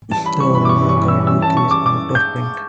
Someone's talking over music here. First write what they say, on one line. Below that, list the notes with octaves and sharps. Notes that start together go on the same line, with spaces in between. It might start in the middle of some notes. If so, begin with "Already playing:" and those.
The original guidebook is out of print.
G2 E3 G3 C#4 A5
B5
C#6
B5
D6
C#6
C#6
E6
E6
A5
C#6
D6
D6
G6